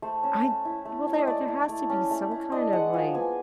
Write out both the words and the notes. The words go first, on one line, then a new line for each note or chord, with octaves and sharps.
I well there there has to be some kind of, like
A3 C5
C#4
A3
E4
A3
C#4
D#5
A3 D5
E4
A3
C#4
A3
E4
D4 D#5
G#3 F#5
F3 G#5
B3 G#5